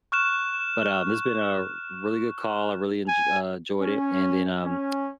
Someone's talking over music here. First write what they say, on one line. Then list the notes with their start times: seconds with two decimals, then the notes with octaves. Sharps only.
But, um, this been a really good call. I really enj uh, ...joyed it. And then, um,
0.12 C#6 F6 F#6 E7
3.08 G#5
3.81 C#4
4.62 C#4